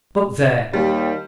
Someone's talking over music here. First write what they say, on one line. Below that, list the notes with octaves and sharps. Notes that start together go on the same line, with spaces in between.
But there!
D#2 G3